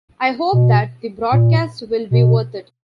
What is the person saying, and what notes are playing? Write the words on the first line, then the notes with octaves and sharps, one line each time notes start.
I hope that the broadcast will be worth it.
B2
A#2
B2